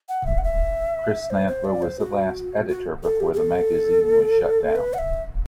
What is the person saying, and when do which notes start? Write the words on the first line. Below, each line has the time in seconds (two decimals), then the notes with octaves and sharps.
Chris Nadler was the last editor before the magazine was shut down.
0.09 F#5
0.26 E5
0.38 F#5
0.44 E5
1.30 C5
1.48 C5
1.65 D5
1.82 C5
1.99 F#4
2.68 F#4
3.03 A4
3.20 G4
3.34 G4
3.37 A4
4.76 B4
4.94 F#5
4.98 E5